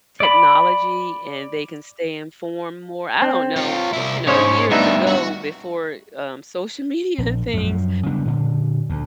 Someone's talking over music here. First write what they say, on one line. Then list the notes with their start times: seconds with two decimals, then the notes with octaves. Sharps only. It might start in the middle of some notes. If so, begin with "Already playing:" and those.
technology and they can stay informed more. I don't know, you know, years ago before, um, social media things
0.20 D5 B5
3.22 C4
3.56 F4 C#5
3.93 C2 E4
4.27 G#2 G#3 C#4 D#4 C5 C#5
4.71 G2 A3 B3 D4 D#4 E5
5.07 F#4
7.18 A#1
7.54 F#2 F3
8.06 C#3 G3 B3 D4
8.25 A#2 D3
8.90 D2